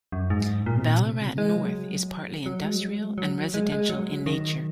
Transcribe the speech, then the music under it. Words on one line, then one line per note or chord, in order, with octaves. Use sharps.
Ballarat North is partly industrial and residential in nature.
F#2
G#2
A#2
C3
A#2
C3
C#3
G#3
F#3
F#3
G#3
F#3
G#3
F#3
G#3
G#3
F#3
D#3